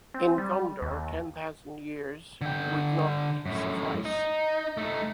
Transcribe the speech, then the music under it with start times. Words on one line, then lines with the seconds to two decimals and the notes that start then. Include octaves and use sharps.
In Gondor ten thousand years would not suffice.
0.14 C4
0.38 G3
0.82 D#2
2.41 D3 G5
3.46 F#2 A2
4.05 D#4
4.77 A3 D#4